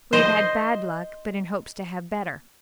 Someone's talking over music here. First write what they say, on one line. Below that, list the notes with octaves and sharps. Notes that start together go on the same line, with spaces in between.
We have had bad luck, but in hopes to have better.
C5 D#5